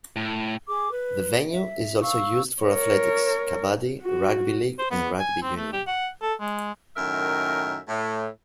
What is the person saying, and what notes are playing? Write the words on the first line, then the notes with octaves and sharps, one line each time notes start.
The venue is also used for athletics, kabaddi, rugby league and rugby union.
A2
G#4 D6
B4
E5
F5 C#6 E6
A#4 C#5
F#4
C5
B3
G#5
C4
A3
G4
F#5
A4
G#3
F#2 A2 D#3 A#4 E5
A2